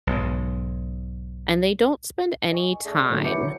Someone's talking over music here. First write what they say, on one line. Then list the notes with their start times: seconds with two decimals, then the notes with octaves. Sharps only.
and they don't spend any time
0.07 B1 G#2
2.51 D#5 G#5 C#6
2.85 A3 D4 G#4
3.10 C#2 F#2 A2 D3 F#3
3.24 E3 F#3 D6 G6 C#7
3.43 C#5